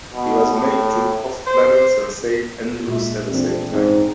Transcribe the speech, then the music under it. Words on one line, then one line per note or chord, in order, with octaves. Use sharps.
He was made Duke of Clarence and Saint Andrews at the same time.
B2
A2
C5
A#2 G#3 E5
F2 E3 C4 D4
G#2 C4 C#4 D#4